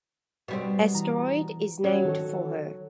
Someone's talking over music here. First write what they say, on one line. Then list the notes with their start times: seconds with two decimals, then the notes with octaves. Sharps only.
Asteroid is named for her.
0.48 B2 G3 C4
0.94 E3 A#5
1.84 F#3 G3 C#4
2.05 D#3 A4 C#5